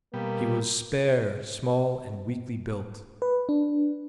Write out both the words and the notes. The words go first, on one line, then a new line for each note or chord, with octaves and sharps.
He was spare, small and weakly built.
B2 G3 A#3
B4
D4